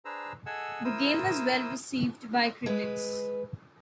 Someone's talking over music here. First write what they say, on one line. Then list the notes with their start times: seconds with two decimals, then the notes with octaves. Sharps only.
The game was well received by critics.
0.05 D4 G#4 B4 C5 A#5 E6
0.46 G#4 A4 D#5 F#5 G#5 E6
0.84 E4 A#4 C5 D#6 E6
2.66 G#3 B4